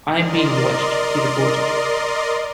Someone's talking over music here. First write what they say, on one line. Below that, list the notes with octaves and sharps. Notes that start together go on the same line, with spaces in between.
"I'm being watched," he reported.
A#4 D5 D#5 C6